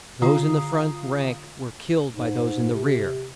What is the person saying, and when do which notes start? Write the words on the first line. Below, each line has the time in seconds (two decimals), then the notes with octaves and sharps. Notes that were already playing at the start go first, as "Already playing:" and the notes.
Those in the front rank were killed by those in the rear.
0.22 D3 F4 F5 A#5 D#6 C7
2.10 G#2
2.73 C3